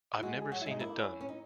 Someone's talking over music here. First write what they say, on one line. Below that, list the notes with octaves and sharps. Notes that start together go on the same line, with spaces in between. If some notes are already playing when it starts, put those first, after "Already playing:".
I've never seen it done.
E4
G#3 F#4
G#4
F#3 F#4
E4
G#3 D#4
A#3 E4
A#3
C#4
C#4
D#4